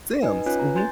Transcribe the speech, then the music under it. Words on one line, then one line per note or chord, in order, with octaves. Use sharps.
Sims, mhm.
D#4 B4 D#5 G#5
C#4 F4 B4 C#5 G#5 F#6
A#5
G#5 C6 G6 A6